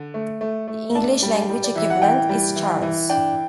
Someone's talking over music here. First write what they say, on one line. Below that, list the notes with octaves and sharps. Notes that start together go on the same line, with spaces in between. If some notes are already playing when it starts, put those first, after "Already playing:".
The English language equivalent is Charles.
Already playing: D3
A3
A3
A3
D4 A5
G3
G3
D5
E3 E5
F#5
E3 G5
G3
E3
E3
D4 G5